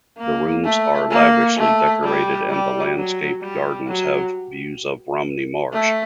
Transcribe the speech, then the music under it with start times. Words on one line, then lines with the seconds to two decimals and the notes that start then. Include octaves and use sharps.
The rooms are lavishly decorated and the landscaped gardens have views of Romney Marsh.
0.18 A#3
0.64 A3
1.11 A#3
1.57 A3
2.03 G3
2.49 G3
2.95 F#3
3.42 G3
3.88 F#3
5.73 A3